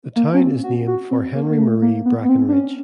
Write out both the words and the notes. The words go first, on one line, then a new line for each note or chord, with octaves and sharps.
The town is named for Henry Marie Brackenridge.
A#3
C#4
C4
F#4
F#4
C4
A#3
A#3
A3
A#3
B3
B3
C4
D4
C#4